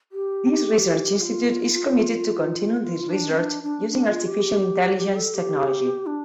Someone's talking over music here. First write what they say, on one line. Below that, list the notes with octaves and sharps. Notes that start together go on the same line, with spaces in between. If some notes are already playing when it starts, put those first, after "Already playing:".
This research institute is committed to continuing this research using Artificial intelligence technology.
G4
F4
F4
D4
C4
D4
D4
D4
F4
G4
G4
A4
G4
D4